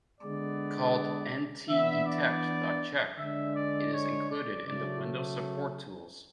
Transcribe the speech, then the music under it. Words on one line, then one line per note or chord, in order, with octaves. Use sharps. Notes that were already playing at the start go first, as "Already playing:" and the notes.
Called ntdetect.chk, it is included in the Windows Support Tools.
D3 G#3 B3 D5
E3 B3 D4 E5
D5
D3 G#3 D4 E5
D5
C#5
D5
C#3 F#3 A3 D5